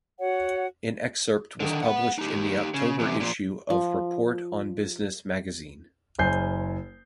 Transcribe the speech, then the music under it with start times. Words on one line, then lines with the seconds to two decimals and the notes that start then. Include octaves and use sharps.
An excerpt was published in the October issue of "Report on Business Magazine".
0.19 F#4 C#5 F#5
1.60 D3 D#3
1.83 B3 F#5
2.18 D#4 G4
2.74 C#3
2.99 E2 C3
3.20 A#2 F3
3.70 F3
6.18 F#1 C5 G#5 G6 C7